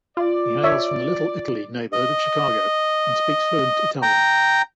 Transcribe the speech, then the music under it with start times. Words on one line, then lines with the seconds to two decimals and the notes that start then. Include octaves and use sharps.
He hails from the Little Italy neighborhood of Chicago and speaks fluent Italian.
0.17 F4 D5
0.64 C#5 E5
1.93 D#5
4.02 G5 A#5